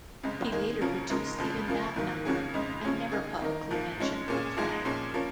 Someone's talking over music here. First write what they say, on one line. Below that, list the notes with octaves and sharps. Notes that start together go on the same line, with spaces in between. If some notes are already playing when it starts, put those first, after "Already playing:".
He later reduced even that number and never publicly mentioned the plan.
F2 C#3 G#3
D#3 A#3 D#4 G#4
C#3 F3 A#3 C#4 A#4
C#3 G#3 D#4 A#4
F2 C#3 F3
C#3 F3 A#3
G#2 D#3 A#3
C#3 F3 A#3 C#4 G#4
F2 C#3 G#3 D#4
C#3 F3 C#4 G#4
C#3 A#3 D#4 G#4
D#3 A#3 D#4 A#4
G#2 F3 A#3
F3 G#3 C#4
A#2 A#3 C#4 G#4
G#2 F3 G#3 D#4 G#4
A#2 F3 C#4 G#4
F3 A#3 C#4 A#4